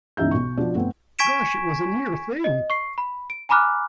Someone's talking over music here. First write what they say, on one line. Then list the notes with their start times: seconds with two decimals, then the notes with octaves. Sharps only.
Gosh, it was a near thing!
0.17 G1 C#2 E3 D#4 E5 G6
0.31 B1 C#6
0.58 B2 F3 D4
0.74 G1 A3 B3 C4
1.19 G#5 C#6 G#6 B6 D7 E7
2.44 D#5
2.70 C#6 C7
2.98 B5
3.30 D7
3.49 G#5 A#5 B5 D6 F6 F#6